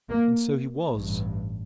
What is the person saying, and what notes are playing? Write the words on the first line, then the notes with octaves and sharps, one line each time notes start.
And so he was.
A#3
A1 G2